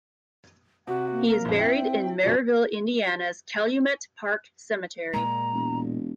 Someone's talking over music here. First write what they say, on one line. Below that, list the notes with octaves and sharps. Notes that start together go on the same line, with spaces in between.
He is buried in Merrillville, Indiana's Calumet Park Cemetery.
C3 F#4 F#5
A#3
A#4
A#1 F2
C4 E4 G5
F#2 B2 F3 F#4 D5
A#2 G#3 A#5
E1